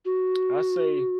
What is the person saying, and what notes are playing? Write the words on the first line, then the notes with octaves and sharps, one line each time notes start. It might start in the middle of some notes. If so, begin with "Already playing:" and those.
I say
F#4